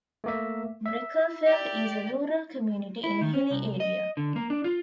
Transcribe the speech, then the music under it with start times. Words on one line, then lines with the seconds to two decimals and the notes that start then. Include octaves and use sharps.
Breckerfeld is a rural community in a hilly area.
0.24 A3 A#3 E5
0.86 E5
1.46 G4 D5
3.03 E4
3.21 D#3
3.34 C#4
3.50 C2
3.80 D#5
4.17 D3
4.36 A#3
4.50 D4
4.64 F4